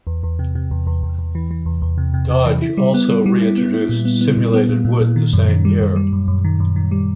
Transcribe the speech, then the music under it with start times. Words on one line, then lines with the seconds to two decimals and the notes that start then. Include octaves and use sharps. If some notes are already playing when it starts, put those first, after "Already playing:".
Dodge also reintroduced simulated wood the same year.
0.07 E2
0.23 E2
0.39 C3
0.55 C3
0.71 E2
0.87 E2
1.03 E2
1.19 E2
1.35 E3
1.51 E3
1.66 E2
1.82 E2
1.98 C3
2.14 C3
2.31 C3
2.46 E3
2.62 E4
2.77 G3
2.94 B3
3.09 G3
3.26 G3
3.42 E4
3.58 B3
3.74 E4
3.89 A#2
4.05 B3
4.21 B3
4.37 A#2
4.54 B3
4.69 A#2
4.85 A#2
5.01 A#2
5.16 D#3
5.33 F#2
5.48 D#3
5.65 G3
5.80 F#2
5.96 G3
6.13 F#2
6.28 F#2
6.44 D#3
6.60 F#2
6.76 D#3
6.91 G3